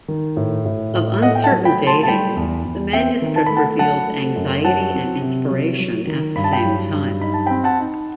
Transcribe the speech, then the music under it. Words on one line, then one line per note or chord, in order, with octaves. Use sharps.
Of uncertain dating, the manuscript reveals anxiety and inspiration at the same time.
D#3
A2
A2
A2
A3 D#5 F#5
G5
F#5 A5
F#3
G5 B5
A3
A5 C6
A5
G3 G5 B5
E2
E2
C4 E5 G5
D#3
A5
A3 B5
F#5 A5
F#3 F#5 A5
A3
F#2
F#3 F#5 A5
C4
C3
F#3
F#3
D#3
G2 B5
A5
G5 B5
F#3
G2
D#4 B5
A5
G5 B5
C4
F#5 A5
D#4